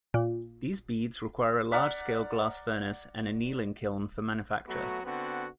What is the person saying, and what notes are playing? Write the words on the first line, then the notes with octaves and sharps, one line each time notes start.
These beads require a large scale glass furnace and annealing kiln for manufacture.
A#2
D5 F#5 A#5 F6 F#6 B6
F#3 A3 B3 F#4
D3 B3 C4 F#4